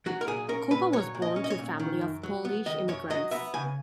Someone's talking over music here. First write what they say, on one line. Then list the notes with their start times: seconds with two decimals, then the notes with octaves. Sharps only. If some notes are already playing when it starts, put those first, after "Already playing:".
Kopa was born to a family of Polish immigrants.
0.06 F#3 F#4
0.21 A#4
0.27 A#2 G#4
0.49 C#4 A#4
0.71 A#2 B4
0.93 F#3 C#5
1.15 A#2
1.22 D#5
1.36 C#4
1.44 D#5
1.50 C#5
1.59 A#2
1.80 D#3
2.01 F#2
2.23 F#3
2.45 B3
2.66 D#3 D#5
2.88 F#2 C#5
3.10 F#3 D#5
3.31 B3 E5
3.54 C#3 G#5